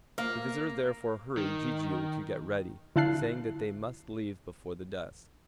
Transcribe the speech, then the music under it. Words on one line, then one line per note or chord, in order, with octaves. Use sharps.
The visitor, therefore, hurried Jijiu to get ready, saying that they must leave before the dusk.
A#3 F5
D#3
D3 E4 F5 A5 F#6 C7